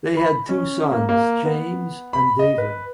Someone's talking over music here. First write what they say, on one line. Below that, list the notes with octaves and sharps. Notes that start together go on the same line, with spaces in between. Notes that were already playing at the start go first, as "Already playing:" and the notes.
They had two sons, James and David.
B5
C#4
A#3
A#3
B3
B5
D#5
B4